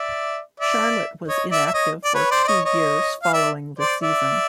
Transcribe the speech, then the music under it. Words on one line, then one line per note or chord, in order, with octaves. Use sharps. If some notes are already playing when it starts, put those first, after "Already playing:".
Charlotte was inactive for two years following the season.
Already playing: D5 E5
D5 E5
C#5 D#5
D5 E5
E5
C#5 D#5
D5
B4 C#5
C5 D5
D5
C#5 D#5
C#5 D#5
F5
D5 E5
C5 D5
D5 E5